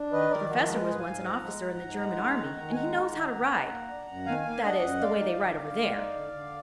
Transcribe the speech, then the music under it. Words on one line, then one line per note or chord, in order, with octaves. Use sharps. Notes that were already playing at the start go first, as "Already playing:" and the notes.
The professor was once an officer in the German army, and he knows how to ride--that is, the way they ride over there.
Already playing: D4
D#3 B4 D#5
D#3 A#4 D5
F3 F#4 A#4
G#3
B4
A#4
G#2 G#4 B4
F5 G#5
G#2
F3 F#5 A#5
G#3
G#2
G#2
G#3
D#4
D#3
D#3
G#5
G#3 F#5 A#5
D#4
D#3
D#3
D#3
A#3
D4
F#2
D#3 F5 G#5
A#3
D4 D#5 F#5
F#2
G#3 D5 F5
D#4
D3
D3
G#3
D#4
D3
D3